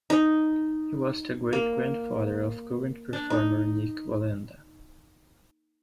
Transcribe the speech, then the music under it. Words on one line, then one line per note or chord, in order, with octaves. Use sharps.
He was the great-grandfather of current performer Nik Wallenda.
D#4
A#3
D4
D#4